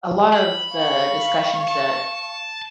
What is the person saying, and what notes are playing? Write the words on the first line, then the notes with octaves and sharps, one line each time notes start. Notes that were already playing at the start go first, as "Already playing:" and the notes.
the, uh, a lot of the discussions that,
B5
F5 C#6
A5